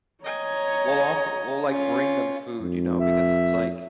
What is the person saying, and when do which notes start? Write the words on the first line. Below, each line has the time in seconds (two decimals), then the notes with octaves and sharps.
we'll ofte we'll, like, bring them food, you know, because it's, like
0.24 C#5 D#5 G#5 A#5
1.68 C#4 F4
2.61 F2
2.99 E5